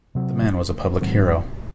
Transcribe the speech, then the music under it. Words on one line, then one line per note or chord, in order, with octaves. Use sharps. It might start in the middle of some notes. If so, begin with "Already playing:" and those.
The man was a public hero.
C3 F#3 C4
G#2 D#3 F#3 C4